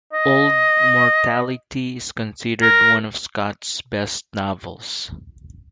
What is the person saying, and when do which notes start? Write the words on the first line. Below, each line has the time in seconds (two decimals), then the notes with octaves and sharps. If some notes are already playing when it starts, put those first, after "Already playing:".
"Old Mortality" is considered one of Scott's best novels.
0.13 D#5
2.62 A#4